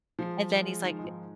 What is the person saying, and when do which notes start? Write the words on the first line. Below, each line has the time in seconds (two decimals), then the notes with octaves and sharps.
And then he's like eh
0.19 F3 G#3
0.40 G#3
0.61 G#3
0.83 D#3
0.99 G#3
1.04 G#2 F3